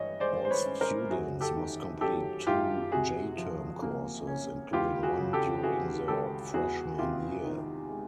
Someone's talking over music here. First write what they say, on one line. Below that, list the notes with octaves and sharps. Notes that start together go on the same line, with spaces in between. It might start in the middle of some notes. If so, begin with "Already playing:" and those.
All students must complete two J-Term courses, including one during their freshman year.
Already playing: G2 E3 C#5 D#5
G#3 C5 D5
C5
B4 C#5
C#4
A#4 C5
F#2 F#4 G#4
G4 A4
D#3
F#3 G4 A4
F#2 F4 G4
C3 F#4 G#4
F3
A#3
C#4
C#2 F4 G4
F#4 G#4
C#3
G4 A4
E3 F#4 G#4
C#2 G4 A4
E2 F#4 G#4
C3 F4 G4
D#3
G#3